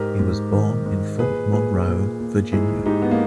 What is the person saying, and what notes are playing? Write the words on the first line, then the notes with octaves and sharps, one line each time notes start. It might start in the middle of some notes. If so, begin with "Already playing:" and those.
He was born in Fort Monroe, Virginia.
Already playing: G#2 G4 A#4
G#2
D#3
G#2
A#2 G#4 B4
A#2 G#4 B4
A#2
A#2
G#2 E4 G#4
G#2 D#4 G4
B3
A#3